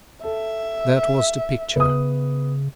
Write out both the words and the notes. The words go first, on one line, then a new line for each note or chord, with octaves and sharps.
That was the picture!
A4 E5
C#3 B3 D#6